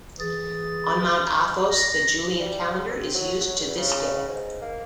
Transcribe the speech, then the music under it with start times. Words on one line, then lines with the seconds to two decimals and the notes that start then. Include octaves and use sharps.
On Mount Athos the Julian calendar is used to this day.
0.19 E3 G#4 A6
1.69 A#6
2.39 G3
2.89 C4
3.14 F#3
3.40 F#3
3.59 E2
3.76 C#3
4.29 G#2
4.62 A#3